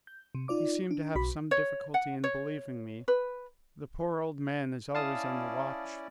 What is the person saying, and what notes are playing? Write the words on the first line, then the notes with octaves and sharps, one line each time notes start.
He seemed to have some difficulty in believing me. The poor old man is always on the watch.
G6
C3
D#4 F4 D5 D6
D4
B1 F#4 B5 B6
C#5
F#5
C#5
B4
C#4 E4 D5 F5 A5 D#6